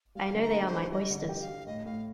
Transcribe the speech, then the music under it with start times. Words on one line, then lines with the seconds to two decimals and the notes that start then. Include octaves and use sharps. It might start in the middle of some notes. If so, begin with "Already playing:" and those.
I know they are my oysters.
0.15 G3 F5
0.35 D3
0.41 A#5
0.53 D4
0.66 C5
0.72 G4
0.91 G3 D#5
1.10 D3
1.17 D#5
1.29 G4
1.35 D#5
1.41 F5
1.48 G4
1.66 A2 D#5
1.85 A2 F5